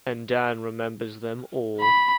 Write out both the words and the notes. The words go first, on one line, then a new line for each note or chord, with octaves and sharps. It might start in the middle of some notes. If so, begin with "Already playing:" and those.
And Dan remembers them all.
B5